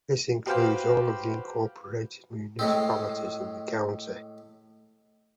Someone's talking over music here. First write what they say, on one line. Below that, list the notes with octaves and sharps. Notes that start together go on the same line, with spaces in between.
This includes all of the incorporated municipalities in the county.
F#4 G4 B4 C5 F5 G5
A2 G#3 C4